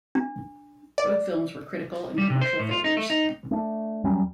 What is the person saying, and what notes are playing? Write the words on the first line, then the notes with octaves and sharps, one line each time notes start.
Both films were critical and commercial failures.
D4
D5
G3
C3
C5
A2
F4
D#4
A3
D#4
A3 D4
E2 F#3 G3 C#4